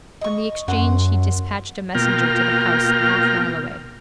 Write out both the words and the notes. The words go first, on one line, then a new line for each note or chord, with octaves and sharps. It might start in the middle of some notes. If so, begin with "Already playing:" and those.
From the exchange he dispatched a messenger to the house a half-mile away.
D#5 C#6
F#2 F#5 C6
B2 A#3 F4 G5 A#5 F6